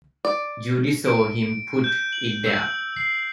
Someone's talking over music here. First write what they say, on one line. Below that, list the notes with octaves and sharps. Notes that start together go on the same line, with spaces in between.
Judy saw him put it there.
D5
D7
G6
F#7
E6
C7